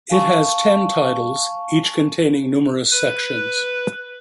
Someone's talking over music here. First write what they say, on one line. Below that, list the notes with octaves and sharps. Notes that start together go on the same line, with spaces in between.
It has ten titles, each containing numerous sections.
F5 G#5 A5 C#6
B4